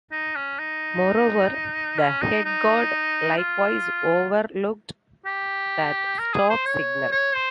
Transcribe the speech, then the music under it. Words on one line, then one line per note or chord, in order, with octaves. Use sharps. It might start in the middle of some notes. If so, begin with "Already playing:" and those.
Moreover, the head guard likewise overlooked that "stop" signal.
D#4
C#4
D#4
C#4
D#4
D#4
F4
G4
A#4
G#4
C5
C#5
C#5
C5